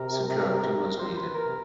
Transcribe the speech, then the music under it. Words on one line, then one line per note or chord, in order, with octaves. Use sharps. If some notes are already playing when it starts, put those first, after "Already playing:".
Security was needed.
Already playing: C3 A#4
A#4
C5
B4
A#4
C3